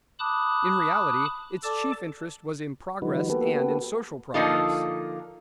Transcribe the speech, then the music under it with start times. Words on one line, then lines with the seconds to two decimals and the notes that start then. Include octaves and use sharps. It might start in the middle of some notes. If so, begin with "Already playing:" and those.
In reality its chief interest was in progress and in social progress.
0.19 A5 B5 D6 D#6 F#6
1.64 A4 D5 A5 D6
3.02 D#3 F3 G3 D#4 F#4 B4
3.29 A#3 B3 F#4 G4 A4 B4
4.34 D3 F3 A#3 D#4 F4 A4